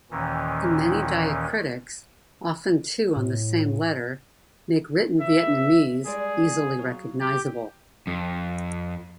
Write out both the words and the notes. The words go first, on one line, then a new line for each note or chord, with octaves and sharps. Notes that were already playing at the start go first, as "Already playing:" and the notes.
The many diacritics, often two on the same letter, make written Vietnamese easily recognizable.
D#2 A#2 D#3 E3 C#4
A2
E3 E5
G3 G#3 G#4 D5
F#3 F5
G4
F2